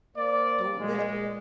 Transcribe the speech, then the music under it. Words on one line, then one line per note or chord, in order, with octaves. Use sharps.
"Don't whip."
A#3 C5 D5
A#2 G#3